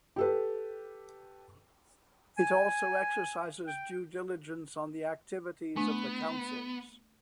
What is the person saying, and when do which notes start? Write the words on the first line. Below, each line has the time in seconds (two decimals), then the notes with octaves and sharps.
It also exercises due diligence on the activities of the councils.
0.16 G4 A4 B4
2.38 G#5
3.67 G5
5.76 A3 B3 D4